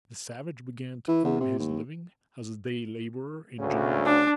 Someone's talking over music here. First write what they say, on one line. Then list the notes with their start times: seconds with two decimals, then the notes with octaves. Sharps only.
The savage began to earn his living as a day laborer in Geneva.
1.08 E3
1.25 E2
1.40 C3
1.59 D#2
3.60 D2 C#3
4.06 D4